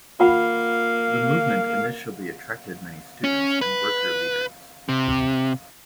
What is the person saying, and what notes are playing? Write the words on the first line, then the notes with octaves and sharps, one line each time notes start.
The movement initially attracted many students and worker leaders.
A#3 F4 F5 F#5 B5
C#4
B4
C3